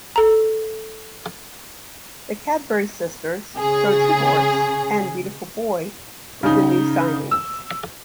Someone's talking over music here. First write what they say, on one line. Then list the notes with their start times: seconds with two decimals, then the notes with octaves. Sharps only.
The Cadbury Sisters, Trojanhorse, and Beautiful Boy were the new signings.
0.16 A4 A#5
3.57 C#3 G#4
6.43 C#3 D#4
7.31 E6